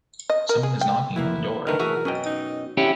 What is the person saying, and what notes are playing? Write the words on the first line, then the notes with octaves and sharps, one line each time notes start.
Someone is knocking on the door.
D#5
A#4
G#4
G5
F#2 A2 A#3 E4 B4
D3 D#3 A3 A#4 B4
B1 E3 A3 F#4 G#4 E5
F#2 B2 C#4 D#5 G5
D#4
D3 C#4 E4 G4